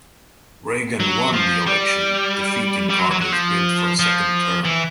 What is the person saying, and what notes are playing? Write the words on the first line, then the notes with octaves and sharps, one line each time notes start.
Reagan won the election, defeating Carter's bid for a second term.
F#3
F3
G3
G3
F#3
F#3
F#3
F3
F3
E3